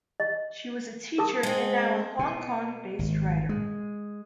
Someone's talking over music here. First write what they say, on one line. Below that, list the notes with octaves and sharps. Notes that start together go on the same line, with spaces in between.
She was a teacher and now a Hong Kong-based writer.
D#5
A#4 A5 D#6
G#3 C4
B2
G#1
G#3